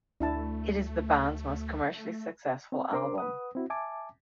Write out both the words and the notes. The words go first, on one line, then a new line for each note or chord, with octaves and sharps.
It is the band's most commercially successful album.
D2 A3 D4 E4 A5
C4
D4 A#4 C5 C6 D6
B4 F#5 D#6
C4 E4 F#4
E5 G#5 A5 D6